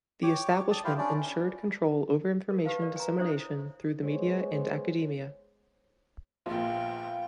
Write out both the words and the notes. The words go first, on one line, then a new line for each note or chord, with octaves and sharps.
The Establishment ensured control over information dissemination through the media and academia.
G4 C#5 D6
D5 A5 D#6
E4 G4 B4 C5 F5
C#4 D4 D5
A#4
G4 B4 F5 A5
A#4 D5
G#5 A#5
D4 E4 C5 C#5 E5 D#6
G#3 B3 C5 C#5
A#1 A#2 B3 F4 F5 G5